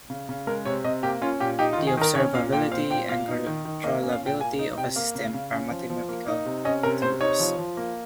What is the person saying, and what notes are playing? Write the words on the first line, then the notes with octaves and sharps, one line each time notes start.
The observability and controllability of a system are mathematical duals.
C#3
C#3
G#3 A#4
C3 C#5
C3 D#5
A#3 G4
C#4 F4
A#2 G4
D#4 G4
F4
D#3
G#4
D#3 A#4
C#4 C#5
A#2 F5
A#2 G5
C4 F5
A#2 G5
A#2 F5
D#4
D#3
D#3
A#3 D#5
C#4
F5
A#2
G5
A#3 G#5
D#4
C3 G5
A#3 F5
C#3
C#3
C#4
F3
F3
A#3
D#4
C3
C#4 D#5
C3 A#4
C3 C5
D#4 C#5
F3
F3
A#3